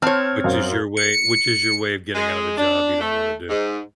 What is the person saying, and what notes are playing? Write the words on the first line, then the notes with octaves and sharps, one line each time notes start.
Which is your way which is your way of getting out of a job you don't wanna do.
C4 C#5 A5 F6
F#2 C5 F5
C#7
G#3
D4
A3
G#2